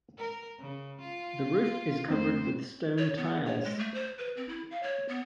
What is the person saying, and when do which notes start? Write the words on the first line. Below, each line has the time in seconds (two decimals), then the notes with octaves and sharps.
The roof is covered with stone tiles.
0.18 A#4
0.60 C#3
1.01 F4
2.08 F2 A3 C4 D#4 C5
2.98 C#5
3.17 B3
3.46 C#5
3.64 G#3
3.79 A3
3.94 C5
4.18 B4
4.37 C4
4.49 E4
4.71 F5
4.83 C#5
5.09 B3